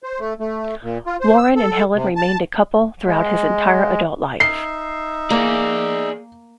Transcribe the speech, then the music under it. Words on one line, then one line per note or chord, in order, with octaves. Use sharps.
Warren and Helen remained a couple throughout his entire adult life.
C5
A3
A3
A#2
F4
C5
E6
A4
C3
A5
G#3
D#4 E5 C7
A#3 G#4 D5